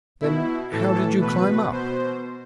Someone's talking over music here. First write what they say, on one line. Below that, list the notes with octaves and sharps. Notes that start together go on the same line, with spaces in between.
'Then how did you climb up?'
B2 E4
A2 E3 A4
B2 B4
B2 C5